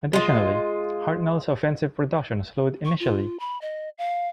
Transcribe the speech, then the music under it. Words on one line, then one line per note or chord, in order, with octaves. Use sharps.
Additionally, Hartnell's offensive production slowed initially.
G#3 F4
C#6
F4
B5
D#5
F5